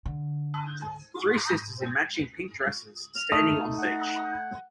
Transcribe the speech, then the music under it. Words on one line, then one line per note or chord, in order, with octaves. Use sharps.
Three sisters in matching pink dresses standing on the beach.
D3
F6
A3 D#4 D#6
F#5